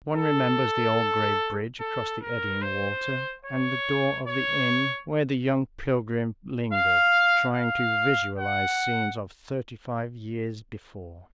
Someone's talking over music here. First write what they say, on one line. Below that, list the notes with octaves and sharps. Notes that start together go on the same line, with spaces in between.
One remembers the old gray bridge across the eddying water, and the door of the inn where the young pilgrim lingered, trying to visualize scenes of thirty-five years before.
A4
A4
A#4
C5
C#5
C#5
F5
F5
F#5